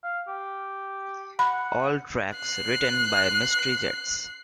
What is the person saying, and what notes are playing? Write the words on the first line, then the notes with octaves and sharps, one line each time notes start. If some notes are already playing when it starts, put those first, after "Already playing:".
All tracks written by Mystery Jets.
F5
G4
F#5 B5
F#6 C7